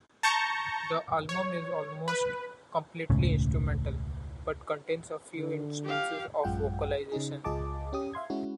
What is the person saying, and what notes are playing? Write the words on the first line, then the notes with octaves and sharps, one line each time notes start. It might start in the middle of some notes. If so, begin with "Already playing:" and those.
The album is almost completely instrumental, but contains a few instances of vocalization.
A5 A#5 C#6 G6 A#6 C#7
C#5
B4
E1 C#2 A2 C#3
D3
G4 F5
A1 F#2 G#3 F4 F#5 G5
C#3 C#4 D#4 G#4
C#2 F4 G#4 D#5 A5 D6
C#4 G4 D#6
E5 F5 C6 G#6
G#3 C#4 E4 F#4